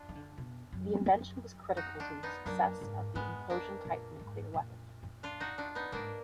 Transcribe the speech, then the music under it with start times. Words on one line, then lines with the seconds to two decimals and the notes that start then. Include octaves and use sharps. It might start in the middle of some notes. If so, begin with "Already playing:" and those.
The invention was critical to the success of the implosion-type nuclear weapon.
Already playing: D4 F4
0.09 D#3
0.15 D3
0.38 B2
0.73 F#2
1.08 F#2
1.77 D#4 F#4
2.00 D4 F4
2.23 B3 D#4
2.46 F#2 A#3 D4
2.81 G#2
3.15 G#2 G#3 B3
3.50 A#3 D4
3.85 A#2
4.19 G#2
4.54 A#2
5.23 D4 F4
5.40 D#4 F#4
5.58 D4 F4
5.75 B3 D#4
5.92 G#2 A#3 D4